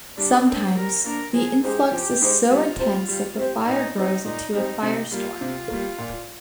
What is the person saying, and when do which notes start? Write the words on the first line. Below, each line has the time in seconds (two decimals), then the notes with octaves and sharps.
Sometimes, the influx is so intense that the fire grows into a firestorm.
0.17 G3 D4
0.46 A#3 C4 D4
0.75 G3 A#4
1.04 A#3 D4 A#4
1.34 F3 G#4
1.63 G#3 D#4 G4 G#4 C5
1.92 F3
2.21 G#3 D#4 G#4 C5
2.50 G3 F4
2.79 C4 G4 C5
3.08 G3
3.37 C4 G4 C5
3.66 A#2 D#4
3.95 G3 C4 D#4
4.24 A#2 D#4
4.53 G3 C4 D#4
4.82 C3 D#4
5.11 G3 A#3 F4
5.41 C3
5.70 G3 A#3
5.98 A#2